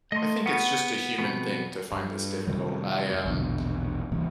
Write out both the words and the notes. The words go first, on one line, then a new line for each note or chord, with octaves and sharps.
I think it's just a human thing to find this difficult, I, um,
A3 D#5 C6
B3 F#5 C#6 F6
F2 B2 B3
G2
F2 C3 D#3 G3
A#1 E2 B2 D3
D1 C3 E3 A#3